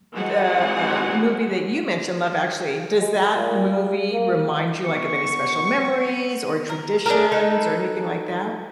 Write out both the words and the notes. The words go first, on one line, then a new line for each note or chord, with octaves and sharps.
the, um, movie that you mentioned- Love Actually- does that movie remind you, like, of any special memories, or traditions, or anything like that?
E3 F#3 G#3 C4 F#5 G#5
G#3
A#2
G3
A#3
B3 C#6 C#7
A#4
D4 G#4 A#4
D#4 A4 B4